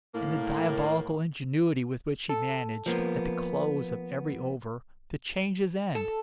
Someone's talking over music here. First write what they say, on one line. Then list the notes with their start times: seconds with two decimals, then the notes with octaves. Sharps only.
And the diabolical ingenuity with which he managed, at the close of every over, to change his end!
0.14 A2 A#3
2.29 A4
2.86 F3 A#3 B3
5.95 A4